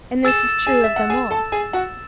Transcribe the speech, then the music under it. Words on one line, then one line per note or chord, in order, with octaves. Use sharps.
And this is true of them all.
G#4 G#5 E6 A6 E7
G#4 G#5
E5
F#5
G#4 G#5
A4 A5
G#4 G#5
F#4 F#5